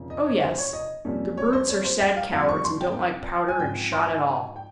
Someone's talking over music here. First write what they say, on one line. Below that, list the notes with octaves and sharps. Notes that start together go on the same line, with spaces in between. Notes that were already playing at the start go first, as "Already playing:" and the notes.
"Oh yes; the brutes are sad cowards and don't like powder and shot at all."
Already playing: F1 F2 C#3
D#5
C#5
C5
C#5
D#5
F2 C3 G3 A#3 C#4
C#5
C5
C#5
C5
G5
F5
F2 C3 G3 F5
C#6
C6
G5
G#5
G#2 F3 C4 G5
C6
G#5
G5